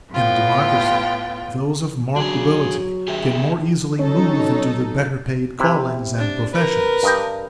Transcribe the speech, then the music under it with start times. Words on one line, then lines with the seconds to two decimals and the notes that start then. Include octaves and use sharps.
In a democracy, those of marked ability can more easily move into the better-paid callings and professions.
0.11 A2 B3 F4 G5
2.16 F#3 D4 G#4
3.08 G4 G#4 E5
3.99 F#3 C#4 D#4 A4
5.60 C3 E4
6.18 D4
6.54 A#4 B4
7.03 G2 D#5 G5